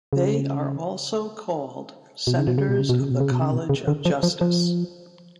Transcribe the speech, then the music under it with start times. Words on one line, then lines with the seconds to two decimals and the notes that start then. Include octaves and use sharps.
They are also called Senators of the College of Justice.
0.13 C#3
2.27 B2
2.37 C#3
2.47 B2
2.58 C#3
2.69 B2
2.79 C#3
2.89 B2
3.00 C#3
3.11 B2
3.20 C#3
3.31 B2
3.42 C#3
3.52 B2
3.69 C#3
3.88 D3
4.05 F3
4.23 F3
4.41 F3